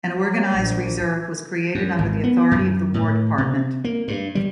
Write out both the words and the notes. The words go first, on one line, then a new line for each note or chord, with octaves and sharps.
An organized reserve was created under the authority of the War Department.
F#3
A#1
F#2
G#1
B3
F#2
A2
C3
A#3
G2
G3